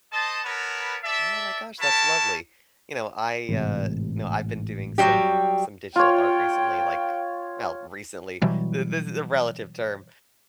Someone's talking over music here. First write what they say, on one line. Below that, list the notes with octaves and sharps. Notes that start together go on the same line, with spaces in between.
Oh, my gosh, that's lovely. You know, I, uh, know, I've been doing some some digital art recently, like well, recently, th this is a relative term.
A4 C5 D#5 A5
B3 A#4 B4 C#5 A5
A4 D5 E5
E4 F#4 A#4 E5 A5
A1 G#2 C3
F#3 G3 G4
F4 C#5 G5
B2 E3 F#3 G3